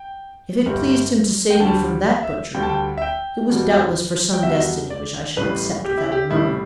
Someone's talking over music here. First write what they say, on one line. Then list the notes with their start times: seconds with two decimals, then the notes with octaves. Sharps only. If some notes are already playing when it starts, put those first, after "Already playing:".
If it pleased him to save me from that butchery, it was doubtless for some destiny which I shall accept without a murmur.
Already playing: G5
0.66 G1 G2 G3
1.50 G5
1.60 D2 D3 G3 A5
2.23 E5
2.55 D2 D3 G3 G5
2.63 A5
2.69 G5
2.98 E5
3.02 G5
3.49 E2 B2 G3
4.33 G5
4.43 E2 B2 G3 E5
4.90 D5
5.37 A1 A2 G3 B4
5.85 G4
5.98 E4
6.12 G4
6.31 A1 A2 G3 E4